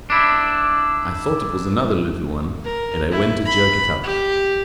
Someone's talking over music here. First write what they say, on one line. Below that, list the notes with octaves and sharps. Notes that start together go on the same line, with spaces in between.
I thought it was another little one, and I went to jerk it up.
D4 E4
A#4
E4
B5
G4